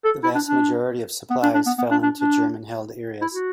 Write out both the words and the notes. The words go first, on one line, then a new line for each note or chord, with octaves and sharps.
The vast majority of supplies fell into German-held areas.
A4
E4
D4
D4
B3
D4
D4
B3
B3
D4
D4
D4
E4
F#4